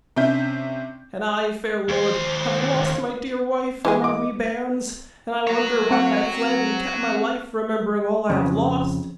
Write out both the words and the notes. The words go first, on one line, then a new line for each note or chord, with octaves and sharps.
And I, fair lord, have lost my dear wife and my wee bairns, and I wonder why I fled and kept my life, remembering all I have lost.'
C3 C#4 D4 E5 G6
D#2 C5
E3 G#3 G#4
D#5 D6
F#4 C#5
C4 F#5
F2 C#3